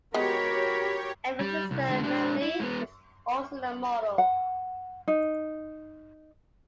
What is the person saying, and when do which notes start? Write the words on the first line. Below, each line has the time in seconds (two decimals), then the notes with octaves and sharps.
Emme's sister Melanie is also a model.
0.14 G#3 B3 F#4 G4 A#4 C#5 B5
1.41 G3
1.71 C2
1.89 D3 G#3
2.04 G#3 D4
2.42 E4
2.60 G#3 B3
4.18 F#5
5.08 D#4